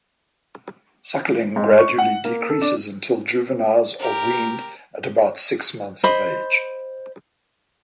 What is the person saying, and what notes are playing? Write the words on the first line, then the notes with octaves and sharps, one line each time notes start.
Suckling gradually decreases until juveniles are weaned at about six months of age.
G#2
C#6
F#5
A#3
A4
D4
G4 A#4
C5 D#5 B5